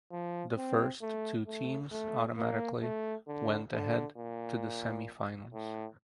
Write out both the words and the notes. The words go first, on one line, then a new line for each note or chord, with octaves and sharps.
The first two teams automatically went ahead to the semi finals.
F3
C4
A3
A3
A3
A#3
A3
D3
D3
A#2
A2